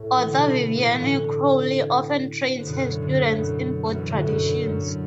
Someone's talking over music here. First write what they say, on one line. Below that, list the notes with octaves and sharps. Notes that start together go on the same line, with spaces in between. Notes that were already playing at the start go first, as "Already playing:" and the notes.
Author Vivianne Crowley often trains her students in both traditions.
Already playing: A2
E3
D3
B2 E3
A2
E3
A2 D3
D3
F#2 B2
A2
A2 D3
A2
F#2 B2
F#2 B2
E3
A2 D3
F#2 B2
A2
F#2
F#2